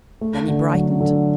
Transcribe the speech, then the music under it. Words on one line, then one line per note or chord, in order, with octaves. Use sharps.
Then he brightened.
A3
D3
F#3
D3